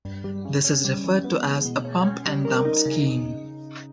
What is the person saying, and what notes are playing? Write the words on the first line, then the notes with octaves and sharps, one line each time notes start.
This is referred to as a "pump and dump" scheme.
G2
G3
C#3
C#4
G3
E3
B3
G#3
B2
C#4
C#4
G3
A#4
D#4
C#3